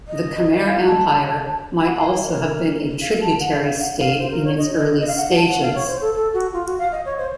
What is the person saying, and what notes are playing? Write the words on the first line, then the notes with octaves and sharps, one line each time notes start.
The Khmer Empire might also have been a tributary state in its early stages.
D#5
F5
A5
F#5
F5
C#5
A#4
F5
A5
F#5
F5
F5
F#5
F#5
F5
C5
A#4
C#5
D#5
D#5
D#5
F5
F#5
A5
F#5
F5
C#5
C5
A4
A4
F#4
F4
F#4
F5
D#5
C#5
C5